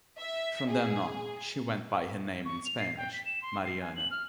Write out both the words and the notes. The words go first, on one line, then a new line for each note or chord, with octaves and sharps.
From then on, she went by her name in Spanish, "Mariana".
E5
G#4
C#6
F7
C7
G5
B6
E7
C6
C7
G#5
F#7
F6